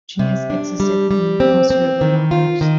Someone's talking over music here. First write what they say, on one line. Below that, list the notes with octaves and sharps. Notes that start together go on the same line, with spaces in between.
Jinetes existed in considerable numbers.
C3
D4
G3
G3
C4
C4
D#3
F4
D#3